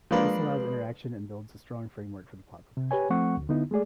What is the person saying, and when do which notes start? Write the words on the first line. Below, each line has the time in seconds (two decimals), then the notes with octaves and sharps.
This allows interaction and builds a strong framework for the plot progression.
0.11 F3 G#3 A#3 D4 B4
2.77 C3
2.91 G4 B4 C#5 G#5
3.10 F3 A3 C4 F#5 C#6
3.37 D2
3.49 D3 B3 D#4 E4
3.71 G#3 A3 G#4 D5